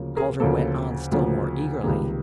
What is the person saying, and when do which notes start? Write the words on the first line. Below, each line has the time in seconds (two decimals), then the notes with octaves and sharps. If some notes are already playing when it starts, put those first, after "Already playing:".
Calder went on still more eagerly.
Already playing: D2 C#3 F3 A#3
0.16 G#4 A#4
0.40 D2 C#3 F3 A#3 A4
1.12 D2 C#3 F3 A#3
1.83 C#2 C3 D#3 G3 A#3 G#4